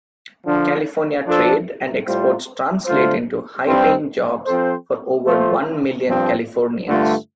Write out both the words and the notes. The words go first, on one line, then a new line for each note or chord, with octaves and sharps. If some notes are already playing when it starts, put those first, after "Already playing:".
California trade and exports translate into high-paying jobs for over one million Californians.
D3 F3 D4
F3 D4 F4 A4 C5
A2 G3 F4 C5
D3 A3 F4 C5
G2 G3 C4
F3 C4 A4 C5
F3 A3 F4 C5
G2 F3 C4
G2 D3 A3 F4